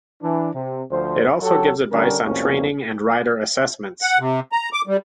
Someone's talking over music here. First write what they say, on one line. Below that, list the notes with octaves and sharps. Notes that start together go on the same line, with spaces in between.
It also gives advice on training and rider assessments.
E3 D4
C3
D2 F3 C5
F#3 G4 A4
D3 G3 C#4 A#4
C2 F2 B2 A#3 C#4
F#5
C3
A#5
D6
G3